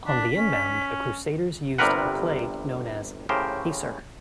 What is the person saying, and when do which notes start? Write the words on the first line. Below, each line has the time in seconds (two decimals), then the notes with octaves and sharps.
On the inbound, the Crusaders used a play known as "Pacer".
0.07 D4 B6
0.36 C#4
1.78 G1 C3 G3 A#4 B4 F#5
3.29 A2 C#3 G4 A#4 C5